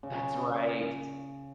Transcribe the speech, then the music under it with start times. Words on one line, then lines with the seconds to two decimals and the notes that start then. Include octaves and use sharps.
That's right.
0.03 C#3